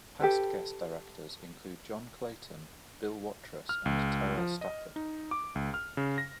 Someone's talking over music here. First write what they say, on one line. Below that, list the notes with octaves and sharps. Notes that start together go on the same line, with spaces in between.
Past guest directors include John Clayton, Bill Watrous, and Terell Stafford.
G4 A4 B4
F6
C#2
F3
D#5
D#4
D6
C#2
F6
C#3
A#6